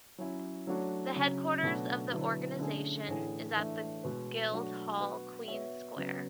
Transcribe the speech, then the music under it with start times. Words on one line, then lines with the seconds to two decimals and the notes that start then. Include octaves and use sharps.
The headquarters of the organisation is at the Guild Hall, Queens Square.
0.18 F#3 C#4 E4
0.67 F#3 A3 D4 F#4 C#5
1.15 C#3 F#3 C#4
1.63 B2 F#3 A3 D4 F#4
2.12 D3 F#3 B3 E4
2.59 D3 A3 C#4 G#4
3.07 A2 E3 A3 D4 G#4
3.55 E3 A3 D4 A4 E5
4.03 B2 G#3 B3
4.52 F#3 A3 D4 F#4
5.00 B3 F#4 B4
5.48 B3 F#4 C#5 E5
5.96 C#3 F#3 B3